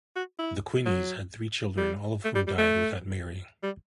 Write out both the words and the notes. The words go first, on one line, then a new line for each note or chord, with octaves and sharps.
The Quineys had three children, all of whom died without marrying.
F#4
E4
F#3
G3
A3
G3
G3
A3
G3